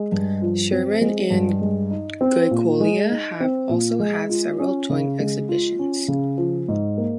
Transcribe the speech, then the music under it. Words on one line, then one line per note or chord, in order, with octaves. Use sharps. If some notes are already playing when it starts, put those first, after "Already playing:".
Sherman and Goicolea have also had several joint exhibitions.
Already playing: G#3
G2
F3
C4
G#3
G2
G#3
D#4
C4
A#2
G#3
D#4
C4
A#2
G#3
F4
C#4
C#3
G#3
F4
C#4
C#3
F3
G#2
A#3